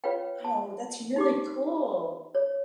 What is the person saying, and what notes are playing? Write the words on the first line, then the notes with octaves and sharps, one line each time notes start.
Oh, that's really cool.
F4 B4 C#5 F5 G5
A5
D#4 G4 D6
C#5